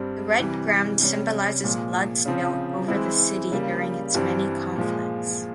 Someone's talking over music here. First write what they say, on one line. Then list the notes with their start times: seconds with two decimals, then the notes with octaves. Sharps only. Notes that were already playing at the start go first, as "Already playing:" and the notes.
The red ground symbolises blood split over the city during its many conflicts.
Already playing: G2 G3 C4
0.38 C3 E3 G3
1.00 C3 G3 C#4
1.64 A#2 F3 G#3
2.26 C#3 F3 C4
2.88 E3 G#3 C4 E4
3.52 C#3 G3 A#3
4.14 G2 E3 G3 C4
4.76 A#2 F3 G#3